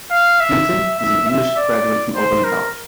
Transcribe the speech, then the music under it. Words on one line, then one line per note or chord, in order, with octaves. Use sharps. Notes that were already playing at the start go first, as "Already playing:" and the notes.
Hamilton is an English graduate from Oberlin College.
F5
E5
E5
E5
D5
C5
A#4